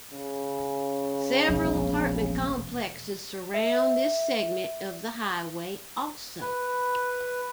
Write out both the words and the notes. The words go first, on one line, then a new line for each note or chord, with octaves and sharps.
Several apartment complexes surround this segment of the highway also.
C#3
E1 A#1 G3
E5
B4